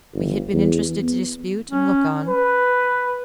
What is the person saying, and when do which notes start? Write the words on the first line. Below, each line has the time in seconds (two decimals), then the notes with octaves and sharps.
We had been interested to dispute and look on.
0.14 G1
0.53 E2
1.03 B3
1.70 C#4
2.29 B4